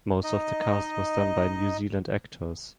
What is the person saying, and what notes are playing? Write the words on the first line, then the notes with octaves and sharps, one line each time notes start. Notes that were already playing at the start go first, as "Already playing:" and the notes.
Most of the cast was done by New Zealand actors.
D#4 D#5